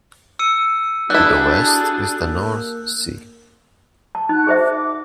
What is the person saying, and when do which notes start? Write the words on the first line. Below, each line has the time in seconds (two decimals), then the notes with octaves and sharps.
To the west is the North Sea.
0.39 E6 C#7 D#7
1.10 G3 D4 E4 F#4 G#4 A4 F#6 G6
2.28 A#3
4.15 A5
4.29 D#4 F#4 F#6
4.47 G#4 C5 E5
4.59 D6